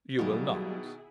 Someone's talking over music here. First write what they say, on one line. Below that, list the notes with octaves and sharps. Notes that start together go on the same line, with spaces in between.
"You will not."
B2 D#3 F#3 G3 A#3 E4 G#4